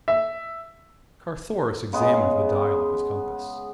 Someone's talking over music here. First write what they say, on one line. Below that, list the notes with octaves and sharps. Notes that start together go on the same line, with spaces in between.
Carthoris examined the dial of his compass.
E5
C#3 G#3 B3